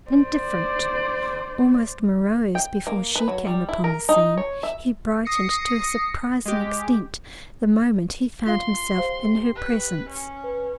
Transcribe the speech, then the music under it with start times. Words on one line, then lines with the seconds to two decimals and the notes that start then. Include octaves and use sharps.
Indifferent, almost morose before she came upon the scene, he brightened to a surprising extent the moment he found himself in her presence.
0.11 C5 D5
2.55 G5
2.87 A#3
3.15 B4
3.28 F#3
3.47 G3
3.69 E4
3.84 A#4
4.09 D#4
4.37 C#5
4.63 E5
5.25 D#6 A#6 C7 C#7
6.46 G#3 G4
8.46 F4 F5 C6
8.98 G4 C5 F5
9.56 B4
10.09 C#4
10.44 B4